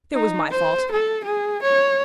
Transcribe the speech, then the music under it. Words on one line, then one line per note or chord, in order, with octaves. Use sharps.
It was my fault.
D#4
C5
A4
G#4
C#5